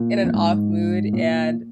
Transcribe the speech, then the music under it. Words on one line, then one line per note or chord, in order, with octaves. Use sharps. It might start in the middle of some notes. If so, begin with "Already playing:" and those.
in an off-mood, and
Already playing: A#2
F2
G#2
A#2